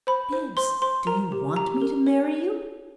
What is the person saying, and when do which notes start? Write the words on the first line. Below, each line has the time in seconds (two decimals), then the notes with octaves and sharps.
"Bibbs, do you want me to marry you?"
0.07 C5 B5
0.32 C5
0.57 C5 C6
0.82 C5 C6
1.07 A#4 A#5
1.32 G4
1.56 G4 A#5
1.82 A#4
2.06 C#5